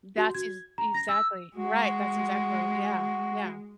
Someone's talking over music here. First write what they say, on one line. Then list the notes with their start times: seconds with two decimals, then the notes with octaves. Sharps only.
That's ex exactly right, that's exactly what I yeah, yeah.
0.17 F#4
0.35 G#6
0.78 A#5
0.94 A#6
1.09 E6
1.56 G#3 F#4